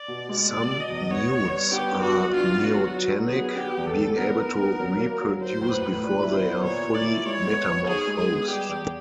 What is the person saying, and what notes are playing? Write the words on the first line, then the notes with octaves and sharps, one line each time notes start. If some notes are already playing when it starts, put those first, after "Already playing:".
Some newts are neotenic, being able to reproduce before they are fully metamorphosed.
Already playing: D5
B2
G#3
B2 D5
B2
D#5
E2
B3 C#5
B3
G3
B3 G4
B3
F#4
C2
D4 F4
B3
F#4
F#3
F#3
F#3
G#4
B3
B3 G4
E2
A4
E2
B3 A#4
B3
B3
F#3
A#3
F#3
F#3 C5
A2
B4
A2
A#2 B4
E4
C5
B3
A#2 C#5
A#2
D5
E4
G#3 C#5
B3
B3
D#4 G#4
G#3
G#4
B3
G3 G4
E2